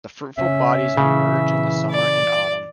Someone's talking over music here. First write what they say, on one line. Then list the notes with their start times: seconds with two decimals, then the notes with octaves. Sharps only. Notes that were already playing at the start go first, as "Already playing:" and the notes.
The fruitful bodies emerge in the summer and autumn.
0.38 C#3 C#4 E5
0.97 A#2 C#3 E3
1.91 D5